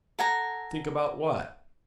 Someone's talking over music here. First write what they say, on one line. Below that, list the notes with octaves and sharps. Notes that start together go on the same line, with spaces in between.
"Think about what?"
A4 F#5 G#5 A#5